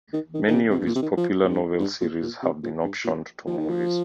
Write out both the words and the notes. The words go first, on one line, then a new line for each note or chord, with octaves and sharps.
Many of his popular novel series have been optioned for movies.
D#3
D#3
D#3
C3
C3
G2
A#2
C3
D#3
F3
A#2
G2
G2
A#2
A#2
C3
A#2
G2
A#2
F3
D#3
F3